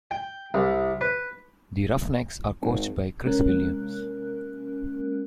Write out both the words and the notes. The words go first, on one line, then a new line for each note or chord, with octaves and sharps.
The Roughnecks are coached by Chris Williams.
G5
C2
B4
G#1
C3 G#3 A#3 C#4 A#4 F#6